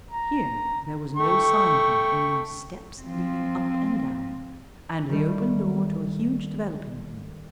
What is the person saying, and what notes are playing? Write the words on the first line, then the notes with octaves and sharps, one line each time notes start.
Here there was no sign of him; only steps leading up and down and the open door to a huge developing room.
A#5
A3 G5 C#6
F3 C4
D#3 G3 A3